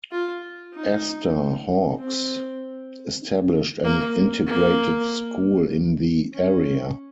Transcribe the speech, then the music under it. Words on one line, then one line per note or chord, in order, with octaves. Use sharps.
Esther Hawks established an integrated school in the area.
F4
D#4
C4
A#3
A#3
C#4